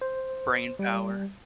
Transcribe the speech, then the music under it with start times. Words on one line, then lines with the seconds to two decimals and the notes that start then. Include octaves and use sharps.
brain power.
0.01 C5
0.79 G3